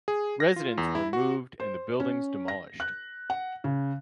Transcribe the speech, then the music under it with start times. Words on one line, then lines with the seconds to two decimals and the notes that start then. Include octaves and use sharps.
Residents were moved and the buildings demolished.
0.08 G#4
0.40 A#6
0.56 F4
0.78 E2
0.95 E4
1.13 F#4
1.60 C5
2.00 C#4
2.48 A#6
2.80 F#6
3.30 F#5
3.64 C#3